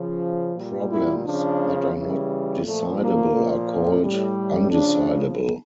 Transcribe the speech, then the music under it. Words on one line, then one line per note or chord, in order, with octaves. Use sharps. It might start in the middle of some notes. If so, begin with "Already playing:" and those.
Problems that are not decidable are called "undecidable".
Already playing: C#3 F3
A#2 G3
E4
F3 D4
C#3
C#3 E3 G3
A#2 F3 A3
A#3
A#2 F3
A2 G3
C#3 F3 D4